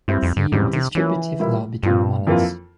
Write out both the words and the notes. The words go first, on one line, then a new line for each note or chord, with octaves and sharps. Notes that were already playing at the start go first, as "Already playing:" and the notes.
See: distributive law between monads.
G2 G3 C4 E4
F2
G2
E2 G#2 C#3 G3 C4 G4
C3
E3 F3 A#3 C#4 E4
A#2 G3 A#3 E4
G2 A#2 F3 C4 F4
F2 E3 A#3 F4